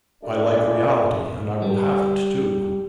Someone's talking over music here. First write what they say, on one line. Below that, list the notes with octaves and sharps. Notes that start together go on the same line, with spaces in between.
I like reality, and I will have it too.
C#2 F#2 A3 D4
G3